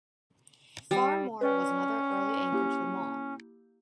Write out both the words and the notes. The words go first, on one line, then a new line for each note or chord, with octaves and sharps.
Phar-Mor was another early anchor to the mall.
G3
C#4 B4 D5 G5
A#3 E4 G4